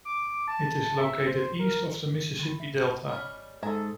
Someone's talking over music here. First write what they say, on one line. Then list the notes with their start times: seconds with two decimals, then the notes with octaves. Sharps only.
It is located east of the Mississippi Delta.
0.05 D6
0.48 A5
0.98 E5
1.27 C5
1.59 A#4
2.39 D3 B5
2.60 E5
3.09 G3 C#4 D#5 B5 F6
3.63 G#2 A4 E5 G#5 A#5